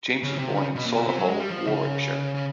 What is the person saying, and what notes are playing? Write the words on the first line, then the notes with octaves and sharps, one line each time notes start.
James was born in Solihull, Warwickshire.
C#3
C3
C#3
B2
A#2
B2
C3
F#3
G#3
G3
F3
C#3
C#3